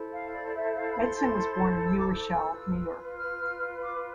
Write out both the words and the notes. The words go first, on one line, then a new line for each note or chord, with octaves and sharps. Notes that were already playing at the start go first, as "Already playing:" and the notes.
Edson was born in New Rochelle, New York.
Already playing: E4 A4 C5
F5
D5
D5
E5
F5
B5
C6
E6
D6
E6
F4 B4
F6
D6